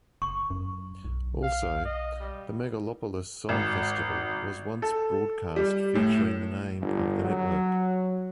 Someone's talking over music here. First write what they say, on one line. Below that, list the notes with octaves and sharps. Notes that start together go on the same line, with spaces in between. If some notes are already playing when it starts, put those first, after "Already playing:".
Also, the "Megalopolis Song Festival" was once broadcast featuring the name of the network.
F#1 C#6
F#2
B1
F5
D#5
G3
G#1
A4
G3
A2
G1
F#3